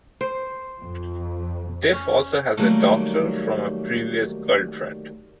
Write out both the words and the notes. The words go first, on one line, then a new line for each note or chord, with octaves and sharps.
Dif also has a daughter from a previous girlfriend.
C5
F2
C#4
D#3 F#3 G3 A3 A#3